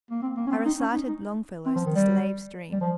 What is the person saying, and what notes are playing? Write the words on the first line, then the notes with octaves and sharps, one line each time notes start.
I recited Longfellow's "The Slave's Dream".
A#3
C4
A#3
C#4
C4
D#4
C#4
D#4
D#4
C4
F3
D#3
G3
G3
F3